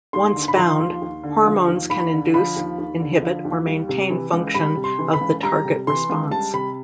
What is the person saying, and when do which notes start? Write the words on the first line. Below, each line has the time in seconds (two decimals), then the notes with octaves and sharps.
Once bound, hormones can induce, inhibit, or maintain function of the target response.
0.13 D#2 C6
0.35 D3
0.48 B5
0.57 F3 C6
0.80 D#2
1.02 D#2
1.23 D3
1.46 F3
1.68 D#2
1.90 D#2 B5
2.12 D3
2.34 F3 B5
2.56 D#2
2.78 D#2
3.00 D3
3.22 F3
3.45 D#2
3.67 G3
3.89 C3
4.10 E3
4.33 C#2
4.54 G3 B5
4.77 C3
4.84 C6
4.99 E3
5.14 B5
5.21 C#2
5.43 G3 A#5
5.65 C3
5.87 E3 C6
6.10 C#2
6.31 G3 A5
6.53 C3 B5